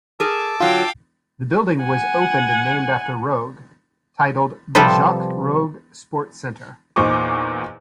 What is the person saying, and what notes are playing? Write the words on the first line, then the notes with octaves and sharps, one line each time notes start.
The building was opened and named after Rogge, titled "The Jacques Rogge Sports Centre".
G#4 A#4 A5 D6 E6
D3 F#3 F4 F5 G5
F#5 G#5
C3 F3 G3 A4 B4 C5
E2 A#2 D#4 C5 C#6 D6